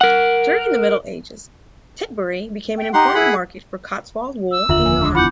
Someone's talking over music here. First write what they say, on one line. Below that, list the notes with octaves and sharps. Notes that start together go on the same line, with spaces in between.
During the Middle Ages, Tetbury became an important market for Cotswold wool and yarn.
A#4 F#5
G5
D#4 G4 F#5 C6
E4 G#4 F#5 B5
E6
F1 D#2 D3 F4 E5 F#7
F3 G#5
D4 B5 D6
B3 E4 F4 F#5 B5 D6 G6